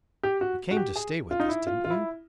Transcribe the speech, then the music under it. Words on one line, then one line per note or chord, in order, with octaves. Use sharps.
"You came to stay with us, didn't you?"
G4
F#4
F#4
G4
G#4
F4
D#4
E4
F4
F4
E4